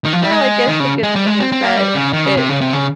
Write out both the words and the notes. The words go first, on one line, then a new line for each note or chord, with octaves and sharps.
Well, I guess the good thing is that it
D#3
F3
G3
G#3
D#3
C#3
G#3
G3
G#3
C4
C4
A#3
G3
C#3
D#3
C#3
C3
C#3
C3
C#3